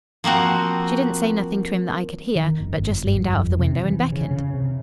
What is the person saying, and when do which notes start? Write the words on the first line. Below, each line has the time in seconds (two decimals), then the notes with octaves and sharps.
She didn't say nothing to him that I could hear, but just leaned out of the window and beckoned.
0.24 F3 A#3 C4 F#4
2.35 D#3
2.60 F#1
2.78 G1
3.07 G2
3.33 F2
3.59 C3
3.84 E3
4.12 C#3
4.31 C#3
4.54 C3